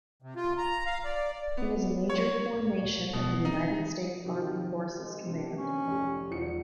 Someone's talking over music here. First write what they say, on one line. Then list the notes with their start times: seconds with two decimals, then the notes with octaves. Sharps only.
It is a major formation of the United States Army Forces Command.
0.22 C3
0.36 F4
0.58 A#5
0.86 F5
1.04 D5
1.57 B3
2.09 C#5
3.13 B2
3.45 D#4
4.25 C3 D#3 F#3
5.00 G#3
5.27 C3 D4
5.56 C#4
5.87 F1 G4
6.30 E1 E2 F3 C#7